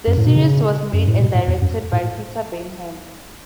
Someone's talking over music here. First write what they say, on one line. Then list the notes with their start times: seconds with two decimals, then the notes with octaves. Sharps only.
The series was made and directed by Peter Baynham.
0.07 F#2
0.18 A2
0.27 B2
0.36 C#3
0.93 F#2
1.07 A2
1.20 B2
1.35 A2
1.47 E2
1.62 F#2
1.93 A2